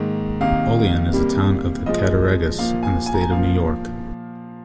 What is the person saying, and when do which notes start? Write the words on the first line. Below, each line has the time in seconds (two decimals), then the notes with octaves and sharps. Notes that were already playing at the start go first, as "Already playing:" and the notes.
Olian is a town of the Cattaraugus, in the state of New York.
Already playing: G#2 D#3 A#3
0.40 C3 D#3 A#3 F5
1.13 C3 G3 A#3
1.86 A#2 F3 G#3 D#5
2.58 A#2 F3 A#3 F5
2.83 G#5
3.06 G#5
3.14 A#5
3.21 G#5
3.31 A#2 F3 A#3 F5